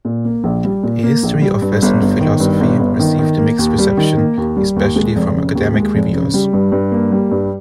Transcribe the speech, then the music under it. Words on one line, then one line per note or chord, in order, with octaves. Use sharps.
"A History of Western Philosophy" received a mixed reception, especially from academic reviewers.
A#2
A#3
A#1
G3
A#2
A#3
A#1
G3
G2
G1
G1
D#3
G2
G1
G1
D#3
D#3
A#3
D#2
G3
D#3
A#3
D#2
G3
D#2
G#3
F1
C#3
D#2
G#3
F1
C#3
G3
G2
G2
A#3
G3
G2